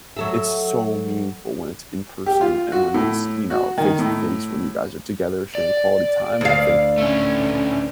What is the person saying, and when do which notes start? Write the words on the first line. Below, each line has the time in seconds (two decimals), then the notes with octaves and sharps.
it's so meaningful when it's in-person, and when it's, you know, face-to-face, when you guys are together sharing quality time, and I think,
0.17 F#3 A4 E5
2.26 G4
2.41 F4
2.72 F#4
2.94 A2
3.50 F#4
3.78 D#3
3.99 A2
5.55 D5
6.41 D2 F5
6.98 A3 C#4